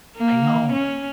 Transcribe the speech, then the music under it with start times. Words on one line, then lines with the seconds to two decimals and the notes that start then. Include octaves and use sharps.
I know.
0.17 A#3
0.73 C#4